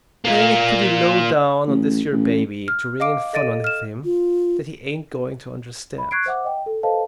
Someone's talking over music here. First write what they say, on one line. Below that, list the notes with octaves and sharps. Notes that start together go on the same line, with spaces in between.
It's playing it pretty low down on this yer baby to ring in fun on him that he ain't goin' to understand.
A#3 F4
A1
A1
F6
D#5 F5 D6 D7
A4 D#5 A6 D7 D#7
F6 E7
F4
B5
C#6 F#6 G#6 C7 D7
C5 E5 F#5 D6
D#5 G5
A4
A4 B4 C5 D#5 F5 A5